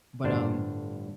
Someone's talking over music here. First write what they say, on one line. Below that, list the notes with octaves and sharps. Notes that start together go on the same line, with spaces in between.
but, um
G1 A2 D4 C5